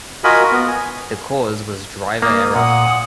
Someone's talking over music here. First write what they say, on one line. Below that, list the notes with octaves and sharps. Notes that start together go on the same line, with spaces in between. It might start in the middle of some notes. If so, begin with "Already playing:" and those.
The cause was driver error.
F4 F#4 A#4 D#5 G#5 B5
B3
G#5
A#3 D#6
A#2 F#5